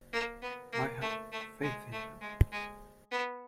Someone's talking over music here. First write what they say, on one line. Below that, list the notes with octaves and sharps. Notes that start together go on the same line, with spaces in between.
I had faith in them.
A#3
B3
A#3
A3
A3
G#3
A3
G#3
G#3
B3